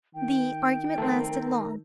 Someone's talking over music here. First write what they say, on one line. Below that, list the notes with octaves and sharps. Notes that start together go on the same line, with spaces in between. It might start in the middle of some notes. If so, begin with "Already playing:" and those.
The argument lasted long.
D#3 G5
A3 C4 A#4